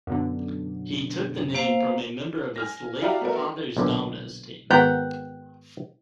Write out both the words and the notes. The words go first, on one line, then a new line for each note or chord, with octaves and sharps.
He took the name from a member of his late father's dominoes team.
F#2 B2 D3
A#3 C5 F5
G#5 F6 A#6
E4 F#4 G4 D5 F5 A#5
A3 B3 F#4 A4 A#4
B1 A#2 D3
G#1 B3 F#5 G5 A#5